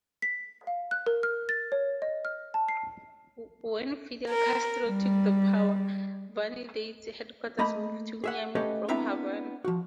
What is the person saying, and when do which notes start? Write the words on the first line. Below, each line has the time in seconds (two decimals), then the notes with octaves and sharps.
When Fidel Castro took the power, "Vanidades"' headquarters moved to Miami from Havana.
0.22 B6
0.67 F5
0.91 F#6
1.06 A#4
1.23 F6
1.49 A6
1.72 C#5
2.02 D#5
2.25 F6
2.54 A5
2.68 C7
4.30 A#4
4.84 G3
7.59 A3 A#3 D#5 A#5 B5
8.24 G#4 E5 F#5
8.55 A3 C#4 G4 A4 B4 D#5
8.88 B3 C4 D4 E4 E5 A#5
9.65 F3 F#4